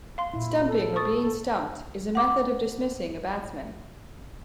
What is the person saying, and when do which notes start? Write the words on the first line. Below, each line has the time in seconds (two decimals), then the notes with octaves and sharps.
"Stumping" or "being stumped" is a method of dismissing a batsman.
0.18 F5 C6
0.34 A#2 E4
0.67 A4
0.96 C#6 D#6 A6
2.15 F#5 D6